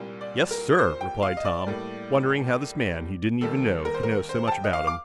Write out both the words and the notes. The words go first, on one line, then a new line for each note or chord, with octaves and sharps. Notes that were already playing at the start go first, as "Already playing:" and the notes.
"Yes, sir," replied Tom, wondering how this man he didn't even know could know so much about him.
Already playing: C2 A#2 G3 A#3
D5
A#4
C5
G5
F5
D#5
D5
A2 G3 A#3
D#2 D#3 G3 A#3 A4
A#4
C5
A#4
C5
A5
G5
D#5
F5
D6